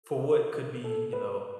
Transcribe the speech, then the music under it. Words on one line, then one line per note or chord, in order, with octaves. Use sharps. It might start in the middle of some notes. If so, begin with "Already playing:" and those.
for what could be, you know,
A4
B4